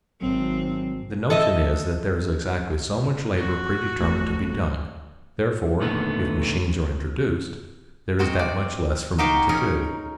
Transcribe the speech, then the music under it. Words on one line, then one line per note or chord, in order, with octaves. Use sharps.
The notion is that there is exactly so much labor predetermined to be done; therefore, if machines are introduced, there is that much less for men to do.
G#1 F#3 C4
A4 D#5 E5
F#4
G1 A3
D#2 A#2 D3 D#3 A3 B3
G#3 C4 F#4
D5
D#4 F#4 G4 F5 G5
C#4 D#4 G#4 A#4